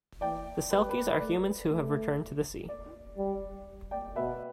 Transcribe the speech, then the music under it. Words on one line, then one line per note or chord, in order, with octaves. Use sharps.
The selkies are humans who have returned to the sea.
E3 D5 G5
G3 B4
B4
B4
A3 D5
A3
D5
G3
D5 G5
B2 B4 E5